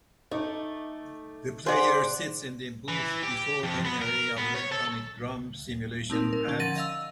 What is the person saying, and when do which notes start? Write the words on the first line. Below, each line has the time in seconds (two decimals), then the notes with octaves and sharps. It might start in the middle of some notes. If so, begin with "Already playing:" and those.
The player sits in a booth before an array of electronic drum simulation pads.
0.31 A3 D#4 D6
1.66 G#4 C5 D5 F#5
2.88 E3
3.23 G4
3.64 F2
3.85 B3
4.01 A#4
4.38 B3
4.54 C#5
4.72 A4
6.10 A3 C4 D#4 A#4
6.33 A#4
6.48 D3 C#4 D5
6.59 F3 F#5 A6 A#6 D#7
6.76 D#5 F5 E6